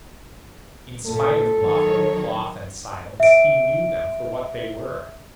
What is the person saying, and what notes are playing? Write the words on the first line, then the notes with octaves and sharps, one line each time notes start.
In spite of muffled cloth and silence, he knew them for what they were.
A#2 A4
D#3 F#3 C#5
E5 D7